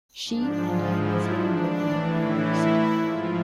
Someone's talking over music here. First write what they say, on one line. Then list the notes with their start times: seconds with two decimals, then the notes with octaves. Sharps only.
She and her husband live in New York City.
0.24 G#2 F3 D4
0.60 F4
0.93 E4
1.28 D4
1.63 A2 E3 D4
1.98 E4
3.01 G#2 F3 F4